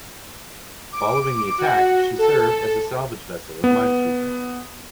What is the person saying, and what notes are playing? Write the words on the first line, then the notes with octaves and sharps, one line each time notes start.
Following the attack, she served as a salvage vessel and minesweeper.
D6
F#4
A4
B3